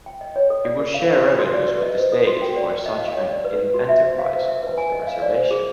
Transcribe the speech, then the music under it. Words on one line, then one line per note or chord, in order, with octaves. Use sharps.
It would share revenues with the state for such an enterprise off the reservation.
G5
D#5
C#5
A4
D5
A#4
F5
C5
A4
F#4
D5
B4
D#5
C5
A4
F#4
G5
D5
G5
D#5
F5
C#5
D5
B4
B4
F#4
E5
C5
F5
C5
E5
B4
G#5
D#5
F5
D5
C5
G#4